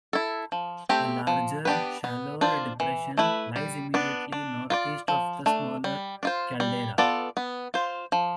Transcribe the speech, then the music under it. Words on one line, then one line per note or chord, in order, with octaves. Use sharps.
A larger, shallower depression lies immediately northeast of the smaller caldera.
E4 A4
F3
A3 C4 G4
F3
B3 D4 G4 B4
B3
D4 F4 C5
E3
A3 E4 B4
G3
B3 D4
D4
F4 B4 D5
F3
A3 D4
G3
D4 F4 C5
G3
B3 F4 A4 D5
B3
F4 C5
F3